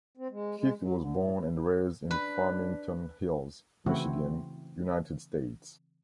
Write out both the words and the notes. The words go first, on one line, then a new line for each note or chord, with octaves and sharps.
Keith was born and raised in Farmington Hills, Michigan, United States.
C4
G#3
G#3
F#3
D3
A2
D4 B4
C#3 E3 A3 C4 E4 F#4